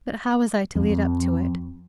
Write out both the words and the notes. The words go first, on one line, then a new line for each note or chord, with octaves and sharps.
But how was I to lead up to it?
F2